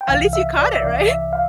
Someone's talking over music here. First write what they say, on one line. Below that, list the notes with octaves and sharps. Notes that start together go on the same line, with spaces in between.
At least you caught it. Right?
G5
C2 C3 E3 F5
E5
D5
E5
C2 C3 E3 D5
E5
F5